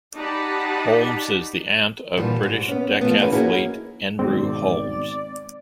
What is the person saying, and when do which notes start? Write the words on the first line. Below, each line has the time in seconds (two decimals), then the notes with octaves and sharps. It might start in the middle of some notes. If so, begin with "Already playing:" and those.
Holmes is the aunt of British decathlete, Andrew Holmes.
0.15 D#4 G4 D5 F#5 A5 B5
2.17 A#2 D3 E3 F3 G3
2.43 G#2
2.68 B3 C#4
3.01 F3 A3 B3
3.20 C#3 E3 F3 C#4 G#4 B4
3.32 A#3 C#4 D#4 E4 F#4 G#4
4.19 G#2 B2 D#3 G#3 C4 D5